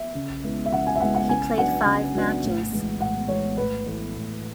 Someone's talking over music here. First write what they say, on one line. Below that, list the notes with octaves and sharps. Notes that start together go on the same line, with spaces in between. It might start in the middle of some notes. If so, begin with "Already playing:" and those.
He played five matches.
Already playing: E5
C#3
G#3 B3 E4
E5
C#3 F#5
G#5
E5
G#3 B3 E4 F#5
F#5
C#3 G#5
F#3 B3 D4 F#5
C#3
F#3 B3 D4
A2
E3 G#3
A2 F#5
E3 G#3 C#5
A2 B4
E3 A3 E4
A2